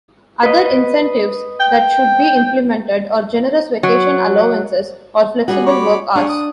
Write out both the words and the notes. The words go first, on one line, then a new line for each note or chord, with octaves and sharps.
Other incentives that should be implemented are generous vacation allowances or flexible work hours.
B4 D#5
G5
F#3
G3 C#4 F#4 G#4
C#5 B5 D6
G3 D4 G#4 C#5
D#6